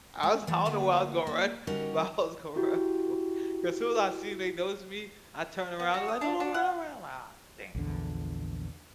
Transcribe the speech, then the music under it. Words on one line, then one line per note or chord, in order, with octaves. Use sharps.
I was I don't know where I was gonna run, but I was gonna run for it, 'cause as soon as I seen they noticed me, I turn around, they're like, "No no don't run don't run." I'm like, "Aw, dang it."
G#3
E3 A3
D3 A3 A#3 F#4 G#4 B4
A#3
D3 G3 C#4 D#4 F#4 A#4
E4 F#4 G4
B3
F#4
D#6
D4
D4
F#5
A#1 E2 D3